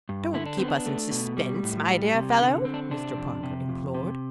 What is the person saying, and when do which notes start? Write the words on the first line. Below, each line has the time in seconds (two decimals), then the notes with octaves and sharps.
"Don't keep us in suspense, my dear fellow!" Mr. Parker implored.
0.09 G2
0.34 D3 E4
0.46 D4
0.58 B3 C4
0.68 D4
0.86 A3
1.11 B2
1.37 G3
1.63 A2
1.88 G3
2.14 C3
2.40 D3
2.65 C4
2.74 D4
2.91 C3 D4
3.18 F2
3.43 C3
3.68 F2
3.94 C3